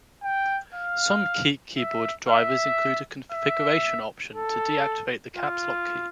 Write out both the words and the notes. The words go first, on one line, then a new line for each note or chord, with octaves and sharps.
Some keyboard drivers include a configuration option to deactivate the Caps Lock key.
G5
F5
E5
E5
E5
A4
F4